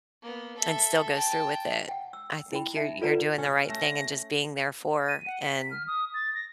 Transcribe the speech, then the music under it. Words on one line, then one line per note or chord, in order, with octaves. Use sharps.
and still goes through with it. I think you're you're doing the right thing and just being there for and
A#3 B3
A4 E5
G5 A5
F#5 G5
E6
E4 G5 B5
D#4 E5
F4 A4 B4 D5 F#5 A#5
C#4 F#5
A3 A#6
D#7
F#5
B6
F6
D#6
A6
A#6